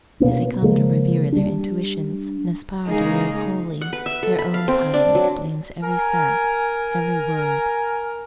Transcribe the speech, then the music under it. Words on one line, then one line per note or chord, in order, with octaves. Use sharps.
As they come to revere their intuitions and aspire to live holily, their own piety explains every fact, every word.
B2 A#3 B3 C#4
C#3 F3 G#3 A#3
G3 D4
C#3 G#3 A#3 D#4 G#4
F#5
B4
E5
A4
B5
F5
C4
D4
F#3
A#4 G#5